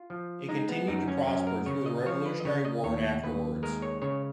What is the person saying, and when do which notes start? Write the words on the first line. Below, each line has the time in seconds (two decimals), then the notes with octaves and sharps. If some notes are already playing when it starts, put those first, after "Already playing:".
It continued to prosper through the Revolutionary War and afterwards.
Already playing: F4
0.10 F3
0.49 G#3 D#4
0.69 B3
0.88 F#2 D#4
1.08 C#4
1.27 F#2 C#4
1.47 A#4
1.66 C#3 C#5
1.86 D#5
2.06 F3 C#5
2.26 B4
2.40 D#5
2.45 C#3 C#5
2.65 D#5
2.84 D#2 C#5
3.23 D#2 B4
3.63 G#3 A#4
3.82 C#5
4.02 C#3 C#5